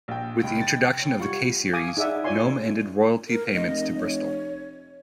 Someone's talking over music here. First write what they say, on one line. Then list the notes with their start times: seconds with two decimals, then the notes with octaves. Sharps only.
With the introduction of the K-series, Gnome ended royalty payments to Bristol.
0.08 A#1 A#2 G5
0.43 C#2 C3 G5
0.61 A6
1.00 C#5 G5
1.20 G3 F4 F#5 C#6 G#6
1.73 F5 G#5 D6 D#6
1.97 D#4 G#4 D5 E5 F#5
2.24 F4 C#5 D5 G#5 C6
3.28 A#4
3.54 F1 D#5
3.97 C#5